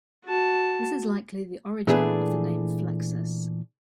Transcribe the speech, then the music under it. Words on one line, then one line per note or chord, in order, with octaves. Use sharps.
This is likely the origin of the name "flexus".
F#4 A5
A#2 E3 A3 B3 D4 G#4